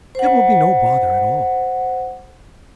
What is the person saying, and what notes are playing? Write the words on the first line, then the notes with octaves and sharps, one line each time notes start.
"It will be no bother at all."
C5 F#5